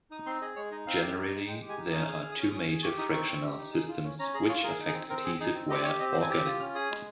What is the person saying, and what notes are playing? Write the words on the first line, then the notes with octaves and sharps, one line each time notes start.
Generally there are two major frictional systems which affect adhesive wear or galling.
D#4 D#6
C4 C6
G#4 D#5
G#3 C#5
D#4 D#5
C4 F5
G4
D#4
G#3
G#3 G5
G4
G#5
D#4
C#4 D#6
F6
G#4 D#6
G#4 F6
D#6
C#4 F6
C#4 D#6
G#4
G4 C#6
D#4 D#6
C4 C#6
C4
G4
D#4
G#4
F4
C#4
C#4 A#5
G#4 A#5
F4 C#5
G#4 A#4
D#4
G#4
C4
C4 A#4
G#4
D#4 G#4
C4
G4 D#5
G4 C#5
C4 D#5
C5
C4
G#5
G4 F6
F4 D#6
C#4 F6
G#4 D#6
G#3